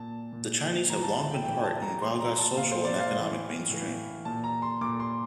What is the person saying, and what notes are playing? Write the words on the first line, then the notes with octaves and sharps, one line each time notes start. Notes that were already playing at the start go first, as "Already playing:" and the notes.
The Chinese have long been part in Guagua's social and economic mainstream.
Already playing: A#2 A5
A#2
A2 E3 A#5
A5
A5
G5
A2 E3 G5
A5
A#5
A#2 C6
A#5
A5
A#2 F5
C5
D5
F5
A2
E3
A2 E3
A#2 A5
A#5
C6
A#2 D6
C6